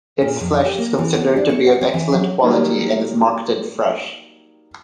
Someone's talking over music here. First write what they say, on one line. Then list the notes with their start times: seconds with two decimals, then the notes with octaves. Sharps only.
Its flesh is considered to be of excellent quality and is marketed fresh.
0.22 A#2
0.40 F2
0.65 G4
0.78 A#3
0.98 E3
1.15 B3
1.37 D4
1.49 C#5
1.67 F#5
1.81 C4
1.94 E3
2.12 F#3
2.43 D#3 F#3 G3 A#3